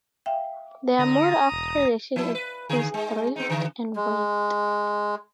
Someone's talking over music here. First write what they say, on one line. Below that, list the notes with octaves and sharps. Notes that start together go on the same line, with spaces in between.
Their mode of predation is "drift and wait".
E5 F5 G5
D3 A#5 D#6
E1
F3 E4
B4
D3 G#4
G#3
B3 C4 D#4
D3 E3
G#3